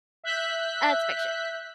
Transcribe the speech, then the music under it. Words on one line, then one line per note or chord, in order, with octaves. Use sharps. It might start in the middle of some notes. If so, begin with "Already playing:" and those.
Uh it's fiction.
E5 F#6 G6 B6